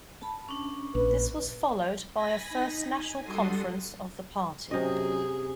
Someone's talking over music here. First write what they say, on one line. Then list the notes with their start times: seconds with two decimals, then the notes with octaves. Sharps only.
This was followed by a First National Conference of the party.
0.21 A5 B5
0.49 C#4 D4
0.95 A#1 B4
2.14 G#5 B5 A#6 B6
2.49 D#4
2.94 G#5
3.23 G3 D4 F#4 A4 C6 D#6
4.71 F#2 C3 G#4 D#5